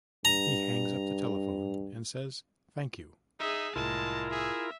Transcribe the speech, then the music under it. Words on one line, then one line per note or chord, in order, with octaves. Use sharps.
He hangs up the telephone and says, Thank you.
G2 A#5
D#4 G#4 E5
C2 A2 G#3 E4 F4 A#4 A5
G#4 E5